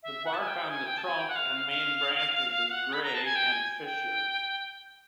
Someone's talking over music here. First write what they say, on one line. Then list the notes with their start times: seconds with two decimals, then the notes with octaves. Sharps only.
The bark on the trunk and main branches is grey and fissured.
0.03 E5
0.25 F#5
0.33 A5
0.40 G#5
0.47 G5
0.70 G#5
0.86 G5
0.97 A5
1.03 G#5
1.19 G5
1.28 F#5
1.36 F5
1.69 F5
2.69 F#5
2.93 B5
3.03 A#5
3.14 A5
3.25 G#5
3.35 G5
3.52 G#5
3.85 G5